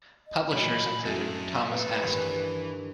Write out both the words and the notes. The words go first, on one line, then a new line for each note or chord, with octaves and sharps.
Publishers included Thomas Astley.
D#5
A#2 E3 F#3 B5
F#2 A4 D#5 E5
B4 E5 F5
G2 D#3 E3